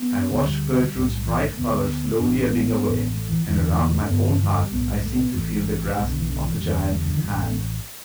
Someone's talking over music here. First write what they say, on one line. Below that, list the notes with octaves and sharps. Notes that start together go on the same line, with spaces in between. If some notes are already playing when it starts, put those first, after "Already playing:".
I watched Gertrude's bright color slowly ebbing away, and around my own heart I seemed to feel the grasp of a giant hand.
Already playing: B3
D2 D3 B3
G3
B1 A2
E3
A3
D2 D3 B3
A1 A2 D4
B3
A1 A2
A3
E3
E1 E2 D3 E3
A3
G1 G2 D3 B3
E3
E3
G3
G3
B1 A2 B3
G3
A3
B3
A1 A2 A3
G3
B1 B2 A3
D3
E3
D3
E3
E1 E2 D3 G3
D3
E3
A1 A2 G3
A3